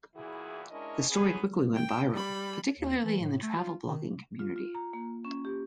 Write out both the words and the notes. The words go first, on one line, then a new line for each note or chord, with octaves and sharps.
The story quickly went viral, particularly in the travel blogging community.
E2 A#2 E3 E4 F#4 G#4
G#3 C#4 D4 E4 A#4 D#5
D#3 B3 C#4 G#4
G5
G3 B5
D#2
E3
A2
A3
F4
D#3
F4
F4
A#5
A#3
C#4
G4